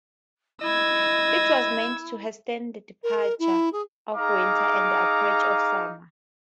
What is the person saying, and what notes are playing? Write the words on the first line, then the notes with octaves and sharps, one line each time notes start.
It was meant to hasten the departure of winter and the approach of summer.
E4 D#5 E6 G#6
A#4
E4
G#4
D#4 G#4 F5 A#5 D6